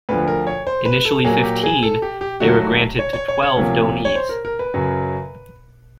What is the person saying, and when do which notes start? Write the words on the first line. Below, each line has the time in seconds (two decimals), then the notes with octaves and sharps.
Initially fifteen, they were granted to twelve donees.
0.09 D2 D3 F3 B4
0.28 A#4
0.47 C#5
0.67 C5
0.85 B4
1.05 A4
1.24 A#2 F#3 A#3 G#4
1.43 G4
1.63 G#4
1.83 A4
2.02 G4
2.21 G4
2.40 D#2 D#3 F#3 A3 F#4
2.61 F#4
2.99 C#5
3.13 C#5
3.28 C#5
3.43 C#5
3.57 D2 C3 F3 A#3
4.05 C#5
4.15 C5
4.29 A#4
4.45 A#4
4.59 B4
4.74 F#2 C#3 F#3